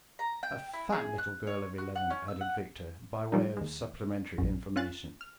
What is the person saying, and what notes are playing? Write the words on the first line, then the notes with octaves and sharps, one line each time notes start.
"A fat little girl of eleven," added Victor by way of supplementary information.
A#5
G5
E4
G#4
F#6
C#5
F#4
F#5
C#4
E6
F#5
F3 G3 D#4
D#2 G#3
A#1 F#2
C#4 F4 F#6 A6
F6